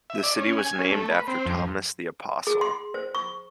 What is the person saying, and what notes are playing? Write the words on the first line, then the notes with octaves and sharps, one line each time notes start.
The city was named after Thomas the Apostle.
E5
D5
C#4
G#5
C#4
A3
B4
C4
F2
G#4
C6
C5
C#6